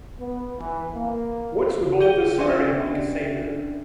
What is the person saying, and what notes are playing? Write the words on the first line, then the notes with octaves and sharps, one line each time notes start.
What's with all the swearin' like a sailor?
B3
E3
A#3
G#4 D#7 G7
C#4 D4 D5 E5